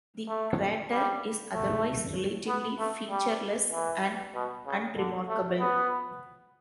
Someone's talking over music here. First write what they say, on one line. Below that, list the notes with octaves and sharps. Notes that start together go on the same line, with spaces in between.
The crater is otherwise relatively featureless and unremarkable.
A3
G3
A3
B3
A3
G3
E3
B2
C#3
D3
A3
B3